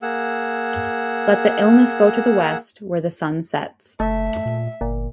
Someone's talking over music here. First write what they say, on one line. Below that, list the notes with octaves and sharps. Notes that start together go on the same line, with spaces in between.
Let the illness go to the west, where the sun sets.
A#3 G#4 F#5 E6
F#1 A3 E5
A#2
G1 A#2